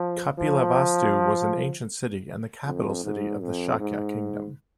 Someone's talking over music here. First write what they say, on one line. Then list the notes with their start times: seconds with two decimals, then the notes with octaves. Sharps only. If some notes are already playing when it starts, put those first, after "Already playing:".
Kapilavastu was an ancient city and the capital city of the Shakya kingdom.
Already playing: F3
0.39 F3
2.65 F2
3.04 G#2
3.42 F2
3.80 G#2